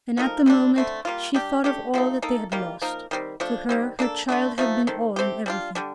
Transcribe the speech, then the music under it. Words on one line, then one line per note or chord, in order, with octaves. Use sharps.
And at the moment she thought of all that they had lost. To her her child had been all and everything.
F3 A3 D#4 A#4
C3 G3 D4
D3 A3 C4
G3 A#3 F4
G3 D4 G4
A3 D4 G4
F3 A3 C4 D#4
A#3 D#4 A4
D#3 G3 A#3 F4
F3 A#3 D#4 A#4
D#3 G3 C4
F3 A3 D4
D#3 G3 C4
A#3 D4 A4
D3 A3 D4
F3 A3 D#4
D#3 A3 C4
A3 C4 G4
G3 D4 F4
D3 G3 D4